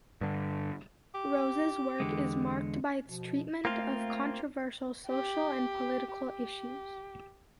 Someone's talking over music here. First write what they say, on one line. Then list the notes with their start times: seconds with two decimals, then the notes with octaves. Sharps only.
Rose's work is marked by its treatment of controversial social and political issues.
0.21 G2 D3
1.15 G4
2.00 E2 D3 G#3
3.07 B2 F3
3.65 A3 A#3 C4 F4
5.07 G4
6.12 G4